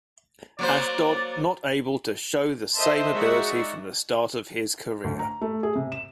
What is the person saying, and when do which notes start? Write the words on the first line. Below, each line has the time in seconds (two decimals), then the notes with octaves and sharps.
Ashdod not able to show the same ability from the start of his career.
0.59 F#3 A#3 C5 D5
2.76 A#4 C5 D#5 E5 A5 C6
3.13 G#3 D#4 F#4 D5 E5 F#5
5.04 D2
5.19 A#5
5.41 A3
5.63 G#4
5.75 C3
5.92 E7